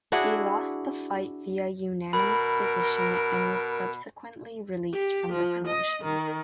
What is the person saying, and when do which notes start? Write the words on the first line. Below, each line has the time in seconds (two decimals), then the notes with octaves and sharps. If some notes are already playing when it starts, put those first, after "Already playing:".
He lost the fight via unanimous decision and was subsequently released from the promotion.
0.12 D4 E4 F#4 G#4
2.13 B2 A#4 B5
4.92 G4
5.31 F3
5.66 D#5
6.05 D#3